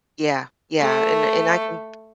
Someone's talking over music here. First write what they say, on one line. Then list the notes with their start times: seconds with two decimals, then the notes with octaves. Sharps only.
Yeah, yeah, and and I can
0.80 A3